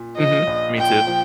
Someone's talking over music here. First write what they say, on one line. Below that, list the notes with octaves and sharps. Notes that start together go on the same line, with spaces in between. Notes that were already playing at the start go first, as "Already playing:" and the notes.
Mhm. Me too.
Already playing: A#2
F3 D#5
A#1
A#2 G5
F3